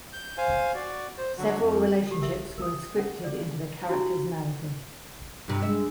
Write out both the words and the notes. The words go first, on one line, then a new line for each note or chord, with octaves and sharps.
Several relationships were scripted into the character's narrative.
G6
C5 F5 G#5
F#4 D5
C5
D3 F#3 F#4
F2
G4 A4
A#4 E5
A#4 D#6
C#4 F#5
G#4 D5
D4 E4 F#4 G4
G2 C3
G#3 E5